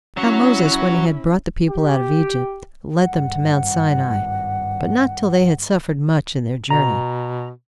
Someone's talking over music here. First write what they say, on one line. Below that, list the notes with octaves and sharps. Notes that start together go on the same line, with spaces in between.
How Moses When He Had Brought The People Out Of Egypt Led Them To Mount Sinai; But Not Till They Had Suffered Much In Their Journey.
F#3 C#4 E4 F#4
G4
G#1 G2 F#5
B2 A#5